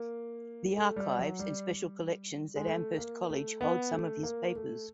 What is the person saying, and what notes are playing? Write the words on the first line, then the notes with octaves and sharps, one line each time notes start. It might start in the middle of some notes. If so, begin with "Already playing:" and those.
The Archives and Special Collections at Amherst College holds some of his papers.
Already playing: A#3
A3
G3
F#3
G3
G3
G#3
A3
A#3
A3
B3
A3
A#3
A3